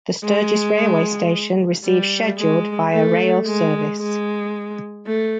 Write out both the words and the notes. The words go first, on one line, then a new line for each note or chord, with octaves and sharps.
The Sturgis railway station receives scheduled Via Rail service.
G#3
G3
G#3
A3
G#3
G#3
A3